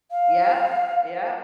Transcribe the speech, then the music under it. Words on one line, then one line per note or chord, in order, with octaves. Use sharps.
yup, yup.
F5